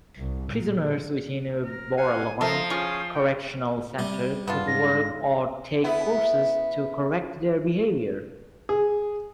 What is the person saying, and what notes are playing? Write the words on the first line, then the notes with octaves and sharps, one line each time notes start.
Prisoners within Borallon Correctional Centre could work or take courses to correct their behavior.
C2
A#2
A#4
F5 F#5 G#5
F3 A4 A#4 C5 D#5 E5 A#5
C#4 F4 G#4 C#6 D#6
C#5 G5
C3 G3
G2 B3 D4 F4
G#2 D#4 A#6
B3 E4
G#4